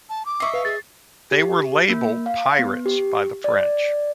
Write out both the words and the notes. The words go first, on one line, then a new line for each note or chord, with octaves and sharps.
They were labelled "pirates" by the French.
A5
D6
D#5 E5 C#6 C7
B4 F5
G#4 A6
G4
A#3
F5
B3
G4
D5